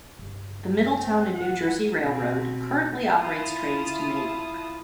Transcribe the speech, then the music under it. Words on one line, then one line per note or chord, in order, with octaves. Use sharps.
The Middletown and New Jersey Railroad currently operates trains to Maybrook.
G2 C#3
C4
F4 F#5
B2 C4
E4 F4 A5 D#6